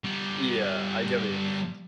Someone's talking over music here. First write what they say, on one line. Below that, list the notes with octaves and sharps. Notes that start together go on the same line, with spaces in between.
Yeah, I get what you mean.
G3 B3